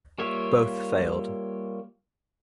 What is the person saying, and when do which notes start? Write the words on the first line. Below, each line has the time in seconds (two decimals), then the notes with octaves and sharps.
Both failed.
0.18 G3 A#3 F4 C#5 E5